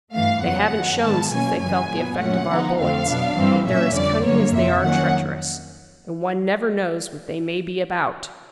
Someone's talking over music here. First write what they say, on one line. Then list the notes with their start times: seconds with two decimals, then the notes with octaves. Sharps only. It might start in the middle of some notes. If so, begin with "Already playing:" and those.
"They haven't shown since they felt the effect of our bullets, but they're as cunning as they are treacherous, and one never knows what they may be about."
0.13 G2 E3 A3 F5
0.43 F2 C#3 F#3 B3 F#5
0.72 F#2 D#3 F#3
1.01 G#2 D#3 G#3 B3 A5
1.31 B2 F#3 A#3 C#4 G#5
1.60 F#2 C#3 E3 G#5
1.89 A#2 F#3 B3
2.18 A#2 F#3 A3 C#4 F#5
2.48 D3 F3 G#3 B3 D#4
2.78 F2 D3 F3 A3 C4 F5
3.06 B2 F#3 B3 D4
3.37 G2 E3 G3 C4
3.66 A#2 F#3 A#3 C#4 E5
3.95 F2 D3 G3 D5
4.24 G2 D3 F#3 A#3 C#5
4.54 F2 C3 F3 E5
4.83 D#3 F#3 A#3 C#4 F#5